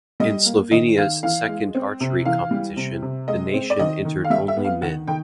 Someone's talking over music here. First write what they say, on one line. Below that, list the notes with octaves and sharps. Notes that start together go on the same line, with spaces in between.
In Slovenia's second archery competition, the nation entered only men.
G3 D#5
A#3
D#3 D#5
D#3 F5
E3 F5
G#3
C4
C3
E3 F5
G3
C3
C3
G#3 D#5
C4
D5
D#3 D#5
D#3
F5
G3 E5
E5
B3
F5
D#3 F#5
D#3 G5